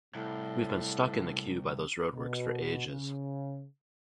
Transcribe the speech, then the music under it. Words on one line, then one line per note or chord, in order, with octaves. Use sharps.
We've been stuck in the queue by those roadworks for ages.
C2 A2
B2
C#3